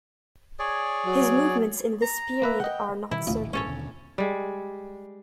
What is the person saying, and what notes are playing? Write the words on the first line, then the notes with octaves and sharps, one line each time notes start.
His movements in this period are not certain.
G#4 C#5 D5
F#3
A#5
A#3 B4 E5
D#5 F#5 G5
B2 D#3 G3 E4
A1 D2 A#2 C#3 F4
C#4 A4 C5 C#5
D#2 B2 D3
G3 G#3